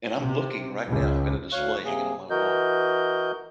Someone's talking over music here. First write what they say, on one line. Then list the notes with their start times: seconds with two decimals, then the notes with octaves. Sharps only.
and I'm looking right now, I've got a display hanging on my wall.
0.18 C3
0.90 C#2
1.53 D2 C#5 F5 C#6 F#6
1.85 C3 A#3 G#4
2.30 E3 F#4 A#4 D#5 G6